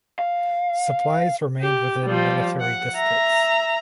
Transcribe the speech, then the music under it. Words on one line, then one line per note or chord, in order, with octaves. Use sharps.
Supplies remained within military districts.
F5
G4
F3 G3
F#5
E5 A#5